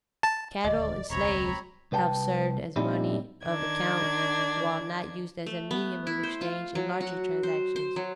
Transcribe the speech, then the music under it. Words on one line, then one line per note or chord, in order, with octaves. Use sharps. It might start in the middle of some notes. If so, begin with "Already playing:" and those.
Cattle and slaves have served as money of account while not used as a medium of exchange in larger transactions.
A5
D#1 D2 D5 D#5
E1 C#2 C4 C#5 A#5 B5
C2 B4 G5 A5
A#2 G3 C4 C#4 D#4 E4
D#3 D4 G#6
A3
B3
E4
C5
F4
F#3
F#4
C5
C5
F#3